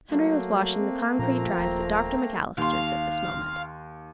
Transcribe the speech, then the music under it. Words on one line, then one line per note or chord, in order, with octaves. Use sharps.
Henry was washing the concrete drives at Dr. McAllister's at this moment.
F#3 A3 A#3
C4
A#2 F3 C4 C#4 A#5
D#1
D#2 F5 C6